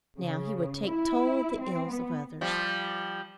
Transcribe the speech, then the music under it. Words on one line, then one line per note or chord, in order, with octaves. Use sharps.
Now he would take toll of the ills of others.
C#3
E4
C4
B3
F3 G3